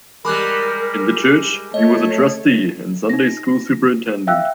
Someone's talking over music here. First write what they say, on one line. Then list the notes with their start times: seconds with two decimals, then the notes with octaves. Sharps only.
In the church, he was a trustee and Sunday School Superintendent.
0.25 G3 G#3 A#4 B5 D6 F#6
1.74 A3 C#5 D#5
3.09 D#4 A#6
4.27 E5 F5 G5 E6 F#6